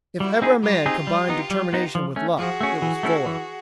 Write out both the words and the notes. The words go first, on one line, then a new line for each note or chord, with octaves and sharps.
If ever a man combined determination with luck it was Fuller.
G3 E4 F#4
C4 D#4 G#4
G3 F4 G4
C4 D#4 G#4
G3
B3 D#4
G3
B3 D#4
F3
A3 C#4
F3 F#4 G#4
A3 C#4
E3
A3 C#4 E4 A4
E3